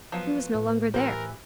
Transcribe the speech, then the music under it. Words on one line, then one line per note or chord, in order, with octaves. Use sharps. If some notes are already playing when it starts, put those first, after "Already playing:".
He was no longer there.
F3 F#3 B3
A2
E3 G4 A#4 C5